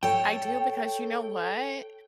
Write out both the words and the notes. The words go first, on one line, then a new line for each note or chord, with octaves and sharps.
I do because you know what,
A4 C#5 G5